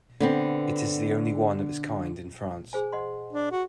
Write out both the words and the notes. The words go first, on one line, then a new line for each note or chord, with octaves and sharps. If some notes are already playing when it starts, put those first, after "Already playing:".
It is the only one of its kind in France.
D3 B3 C4
G#4 C5 G#5
D#5 F#5 C6
D4
F#4